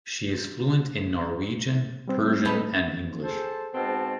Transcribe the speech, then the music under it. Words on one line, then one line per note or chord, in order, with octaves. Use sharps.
She is fluent in Norwegian, Persian and English.
G3 C4
D#4 A4 B4
G#4 A4 C5
G#2 B2 C4 A5